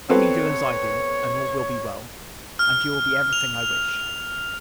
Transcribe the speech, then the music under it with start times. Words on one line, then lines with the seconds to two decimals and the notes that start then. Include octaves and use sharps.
Only do as I do; and all will be well, and you will be every thing I wish.
0.10 B3 C4 A4 C#5
2.59 F6
3.33 F7